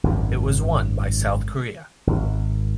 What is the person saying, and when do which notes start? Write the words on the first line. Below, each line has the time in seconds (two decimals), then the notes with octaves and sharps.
It was won by South Korea.
0.04 G#1 F#2
2.07 G#1